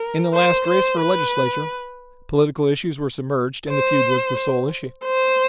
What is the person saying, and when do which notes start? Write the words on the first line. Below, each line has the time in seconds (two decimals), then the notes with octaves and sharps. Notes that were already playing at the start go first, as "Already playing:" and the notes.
In the last race for legislature, political issues were submerged and the feud was the sole issue.
Already playing: A#4
0.34 C5
0.67 C5
1.00 B4
3.70 C5
5.04 C5